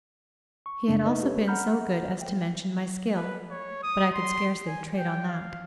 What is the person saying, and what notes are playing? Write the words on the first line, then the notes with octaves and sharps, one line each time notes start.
He had also been so good as to mention my skill; but I could scarcely trade on that.
C#6
F#2 C#3 G#3 B3 D4
A3 D#4 B4 D#5
G4 B4 C#5
F#5 A#5 B5 F6 G6
G5
B4
C#5
D#6
C6
G#5
G5
F5